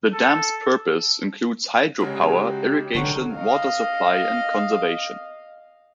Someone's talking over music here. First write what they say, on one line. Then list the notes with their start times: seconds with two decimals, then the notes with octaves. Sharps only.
The dam's purpose includes hydro-power, irrigation, water supply, and conservation.
0.13 A4
2.00 C#3 F#3 G#3 G4
2.95 D3 D#3 F#3 A4 C#6
3.34 D#5 F5